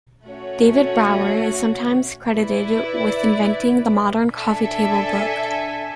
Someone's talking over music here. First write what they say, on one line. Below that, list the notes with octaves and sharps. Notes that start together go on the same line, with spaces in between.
David Brower is sometimes credited with inventing the "modern coffee table book".
A3 C#4 F#4 C#5
E4 B4 D5
D4 A4 E5 G#5